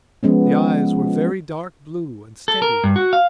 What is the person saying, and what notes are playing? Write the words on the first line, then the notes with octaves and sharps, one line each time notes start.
The eyes were very dark blue and steady.
F3 G#3 B3 C#4
A4
A#4
G2
F#4
F5